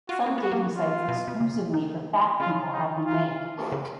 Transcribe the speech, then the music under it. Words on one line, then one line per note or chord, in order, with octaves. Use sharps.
Some dating sites exclusively for fat people have been made.
F4 F#4
A#3
B3 F#4
A#3
F4
B2
B2
C#3
D#3
C#3 F4
D#4
F4
C#3